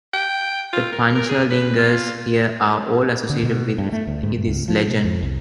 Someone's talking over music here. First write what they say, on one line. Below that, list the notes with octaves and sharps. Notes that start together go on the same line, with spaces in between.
The Panchalingas here are all associated with this legend.
G5
F4
A#4
A#4
G#4
B4
F4
D3
B2
G2
A3
D2
G#2
G2
C#2
F3
B2
F2
C2